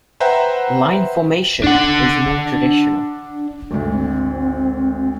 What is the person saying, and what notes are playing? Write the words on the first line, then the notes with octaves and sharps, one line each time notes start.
Line formation is more traditional.
B4 C5 E5 F#5 G5 A#5
D4 F#5
G#1 D2 A3
C4